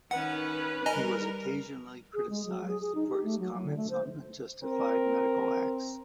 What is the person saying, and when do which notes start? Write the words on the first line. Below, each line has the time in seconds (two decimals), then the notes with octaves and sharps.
He was occasionally criticized for his comments on unjustified medical acts.
0.11 D#3 C#4 B4 F#5
0.86 G3 A#4 D#5 G#5 A#5
2.14 G#4
2.30 G#3
2.46 F#3
2.68 G#4
2.81 G#4
2.95 D#4
3.09 G4
3.24 A3
3.39 F#3
3.63 D3
3.77 A3
3.90 C5
4.64 C4 A#4